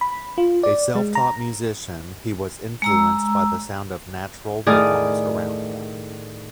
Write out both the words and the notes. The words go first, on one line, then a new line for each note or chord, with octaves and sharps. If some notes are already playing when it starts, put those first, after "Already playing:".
A self-taught musician, he was influenced by the sound of natural rhythms around him.
B5
F4
D5
G#3
A#5
G#3 A#5 E6
A2 D#3 G#4 D5 D#6 F6